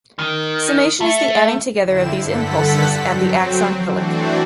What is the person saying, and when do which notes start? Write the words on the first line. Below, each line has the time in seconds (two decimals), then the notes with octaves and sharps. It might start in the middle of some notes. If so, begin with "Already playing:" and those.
Summation is the adding together of these impulses at the axon hillock.
0.19 D#3
1.01 A3
1.82 F2 D3 C4 E4 E7
2.21 G2 D3 A4 F#5 B6
2.96 F#3 C4
3.88 E3 A3 C4 D4 F#4